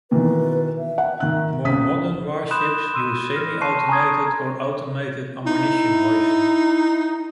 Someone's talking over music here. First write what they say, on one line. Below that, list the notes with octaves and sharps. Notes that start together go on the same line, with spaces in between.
More modern warships use semi-automated or automated ammunition hoists.
B2 D#3 E3 B4
E5
F#5
D#3 F#6
C#2 D#6 B6
B5 C6 D#6 F#6 G6 E7
C6 E6 D#7
F6 A#6
A5 C6 C#6 F#6 C7 D#7
G#5 A#5 B5 C#6 D#6 G#6
D#4 E4